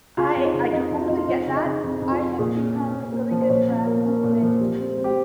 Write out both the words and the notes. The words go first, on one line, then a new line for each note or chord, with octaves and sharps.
I I totally get that, I have become really good friends with the
C#3 F4
F2
D#4
C#3
F2 D#4
F2
F4
F2 D#4
F4
F2 D#4
C#3
D#4
C#3
F2 D#4
F2
F4
F2
A#2 G#4
C#4
C#4
A#2
A#3
F3
C5
A#2 C#5
C#4
A#3 A#4
C#4
A#2
F3
G3
C4
C4
G4